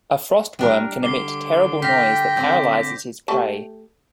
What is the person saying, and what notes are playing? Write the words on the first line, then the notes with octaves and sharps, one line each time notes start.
A frost worm can emit terrible noise that paralyzes his prey.
G3 D4 A#4
D3 D6 C7 G7
F5 G5 A#6 B6
D3 C4 G6
A3 G4 A5